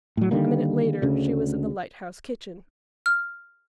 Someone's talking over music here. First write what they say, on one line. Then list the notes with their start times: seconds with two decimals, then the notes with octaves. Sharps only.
A minute later she was in the lighthouse kitchen.
0.17 A2 F#3
0.31 D3 D#3 G3 A#3
1.02 D2 C#3
3.06 F6